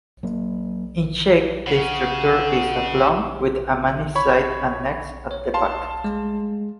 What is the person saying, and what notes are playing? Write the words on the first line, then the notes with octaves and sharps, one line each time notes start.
In shape the structure is oblong, with a many-sided annex at the back.
F#3 A#3
C#3 F#5
C#5 B5 C#6
C#5
F5 A5 C6
G#3